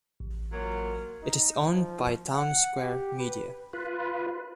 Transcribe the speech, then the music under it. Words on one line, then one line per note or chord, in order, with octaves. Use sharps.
It is owned by Townsquare Media.
A1
F#3 A#3 F4
D#4
F3
F#5
G4
B4
F4 B4